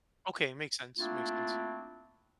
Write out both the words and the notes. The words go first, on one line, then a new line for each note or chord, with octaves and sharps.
Okay, makes sense, makes sense.
A3 A#3 C4 D4 E4 F4